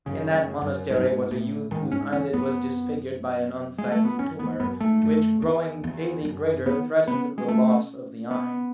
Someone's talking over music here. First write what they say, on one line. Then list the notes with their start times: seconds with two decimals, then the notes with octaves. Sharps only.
In that monastery was a youth whose eyelid was disfigured by an unsightly tumour, which growing daily greater, threatened the loss of the eye.
0.06 F#2 C#3
0.34 F#2
0.62 F#2
0.90 G#2
0.97 F#2
1.05 G#2
1.31 A2
1.71 G#2 D#3
1.92 G#2 C#4
2.13 E2 C#4
2.33 F#2 B3
3.78 G#3
3.92 A3
4.05 B3
4.19 F#2 C#4
4.39 E2 B3
4.60 F#2 B3
4.80 G#2 A3
5.02 F#2
5.42 E2
5.84 E2
6.25 F#2
6.66 D#3 B3
7.07 B3 C#4
7.38 G#3
7.48 A3
8.31 B3